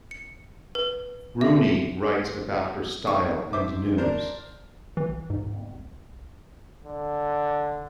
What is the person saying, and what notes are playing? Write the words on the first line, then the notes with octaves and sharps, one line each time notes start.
Rooney writes about her style and news.
C#7
B4
E5
D#4 C#6
C5 E5 D6
D4 A#4 C5
E3
G#2
D3